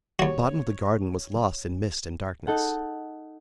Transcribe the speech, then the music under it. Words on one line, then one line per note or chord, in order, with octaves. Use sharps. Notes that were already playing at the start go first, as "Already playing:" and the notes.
The bottom of the garden was lost in mist and darkness.
D#2 F#4 C#5
D#4 A4 F#5